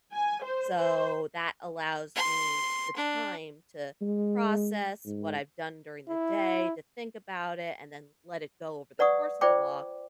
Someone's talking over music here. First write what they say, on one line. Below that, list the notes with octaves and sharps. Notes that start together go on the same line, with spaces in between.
so that allows me the time to process what I've done during the day, to think about it, and then let it go over the course of the walk
G#5
C5
C5
C6
D4
G#3
G#2
E4
B4 D5 F#5 C#6 D#6
F4 C5 D5 G5 D6